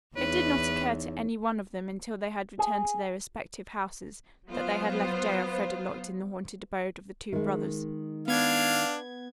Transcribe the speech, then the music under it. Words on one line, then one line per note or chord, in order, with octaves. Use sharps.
It did not occur to any one of them until they had returned to their respective houses that they had left J. Elfreda locked in the haunted abode of the two brothers.
E2 D#4 E4 B4 C#5
G#4
F#3 B3 F4 C5
D#3 G#3
B3 D4 F5 G#6